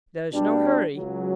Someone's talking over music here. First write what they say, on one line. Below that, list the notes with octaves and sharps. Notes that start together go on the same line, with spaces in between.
There is no hurry.
B2 G3 D4
C#2 C#3 F#3